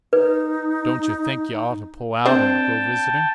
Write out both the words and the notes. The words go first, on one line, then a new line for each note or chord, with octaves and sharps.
"Don't yuh think yuh ought to pull out and go visiting?"
D#4 B4
C4 D4 C5 G5 A5